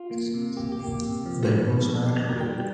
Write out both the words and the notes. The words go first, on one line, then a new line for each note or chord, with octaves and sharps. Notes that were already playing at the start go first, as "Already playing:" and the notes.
That was my attitude.
Already playing: F4
A#3
C3
A#3 G4
G4
A#3
G4
C3
F3
D#3
F2
F2 A4
G4
D#3
A#4
G3 G5